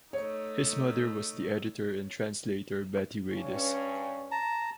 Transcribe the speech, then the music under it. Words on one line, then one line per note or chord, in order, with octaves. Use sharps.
His mother was the editor and translator Betty Radice.
A3 D#4 C#5
G2 C#4
A5 A#5